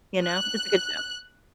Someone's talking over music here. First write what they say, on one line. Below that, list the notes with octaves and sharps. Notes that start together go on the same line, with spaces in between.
You know, it's a good show.
F#6